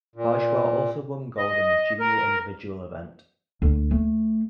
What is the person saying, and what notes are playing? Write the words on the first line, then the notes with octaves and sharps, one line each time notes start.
Bajwa also won gold in the junior individual event.
A#2
D#5
A#4
D2
A3